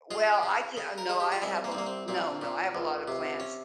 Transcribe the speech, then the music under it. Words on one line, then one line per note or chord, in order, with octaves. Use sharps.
R Well, I di uh, no I have a No, no, I have a lot of plants,
G#3 F4
C#3
C#3
A#4
G#3 G#4
G4
F4
C2 E4
A#3
C4
C2 A#3
C4
A#2 C4
A#2
C#2
C3
C#4